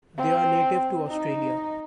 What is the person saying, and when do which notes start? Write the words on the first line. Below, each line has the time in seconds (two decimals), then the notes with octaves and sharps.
They are native to Australia.
0.18 C4
1.07 D#4